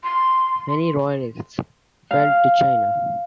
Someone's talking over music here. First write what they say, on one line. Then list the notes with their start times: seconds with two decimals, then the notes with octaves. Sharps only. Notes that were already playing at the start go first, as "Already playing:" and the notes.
Many royalists fled to China.
0.03 C6
2.11 F5